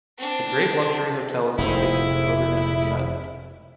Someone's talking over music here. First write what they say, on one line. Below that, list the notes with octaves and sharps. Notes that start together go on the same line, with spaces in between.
A great luxury hotel is located at the northern end of the island.
C4 D4
F1 G#3 C4 D#4 E4